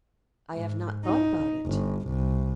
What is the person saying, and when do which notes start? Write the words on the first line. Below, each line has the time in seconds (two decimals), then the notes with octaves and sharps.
"I have not thought about it."
0.53 G#2
1.06 D#4
1.66 G1
2.09 C2